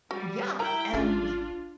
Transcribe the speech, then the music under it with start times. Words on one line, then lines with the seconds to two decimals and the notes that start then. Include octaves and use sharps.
Yeah, and
0.11 G3 F#4
0.59 E4 A#4 G5 A#5
0.94 G#1 C#4 D4 F4 G#4